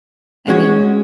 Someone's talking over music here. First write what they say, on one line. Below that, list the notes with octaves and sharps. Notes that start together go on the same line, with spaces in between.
I mean,
G#3 C#4 F#4 C#5